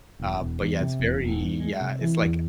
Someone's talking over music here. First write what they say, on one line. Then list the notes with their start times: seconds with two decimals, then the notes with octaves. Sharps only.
Uh, but, yeah, it's very yeah, it's like
0.19 E1
0.39 E1
0.60 E2
0.80 C3
1.00 E1
1.20 E1
1.40 E2
1.60 G#3
1.81 C3
2.01 E3
2.21 E2